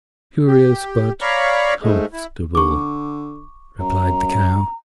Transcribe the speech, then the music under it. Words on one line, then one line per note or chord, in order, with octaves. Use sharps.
"Curious, but comfortable," replied the Cow.
G4
C#5 D5 F5 A#5 B5 C#6
G#2 G#3 A3
E4
D3 C#6 D6
F#2 A#5